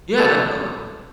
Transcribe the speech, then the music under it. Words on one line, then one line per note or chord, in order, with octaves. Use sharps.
Yeah, definitely.
A4